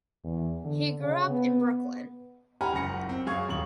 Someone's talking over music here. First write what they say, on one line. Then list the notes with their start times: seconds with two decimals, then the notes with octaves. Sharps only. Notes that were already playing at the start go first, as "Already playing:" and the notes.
He grew up in Brooklyn.
0.24 E2
0.64 D3
1.00 C#3
1.30 B3
2.61 G4 F#5 G#5 A#5 B5 F6
2.73 F#1 C#2 F#5 A#6 C#7
3.09 C4
3.26 F#2 G#4 F5 C#6 G#6
3.49 D#1 C#6 F#7